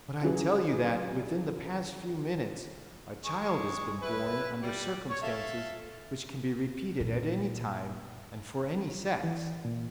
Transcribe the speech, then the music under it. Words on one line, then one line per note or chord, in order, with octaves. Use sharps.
"But I tell you that, within the past few minutes, a child has been born under circumstances which can be repeated at any time, and for any sex!"
C#3 E3 F#3 G#4
G#3 C#6
E4 B4
G3
C#5 C#6
A4 E5 F5
A#2
E3
A#2